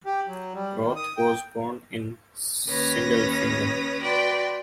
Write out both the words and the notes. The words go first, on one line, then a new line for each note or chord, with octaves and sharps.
Roth was born in Sindelfingen.
G4
F#3
G3
D#3
D#6
G5
D#2 C#4 B4 C#5 D#6 A#6
F#4 B4 D5 G5 C6